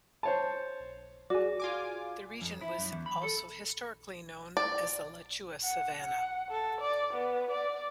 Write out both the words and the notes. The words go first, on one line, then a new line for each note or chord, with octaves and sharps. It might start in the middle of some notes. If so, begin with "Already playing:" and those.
The region was also historically known as the Alachua Savannah.
C5 C#5 A5
F#4 G#4 D5
F4 G#5 D6
F2
E4
F#2
E2
B5
A4
D5
F#5
F#5
A4
D5
B3
D5